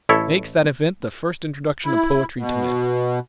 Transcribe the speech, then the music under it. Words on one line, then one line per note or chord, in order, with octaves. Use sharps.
He makes that event the first introduction of poetry to men.
A1 E4 A4 C#5
E4
B2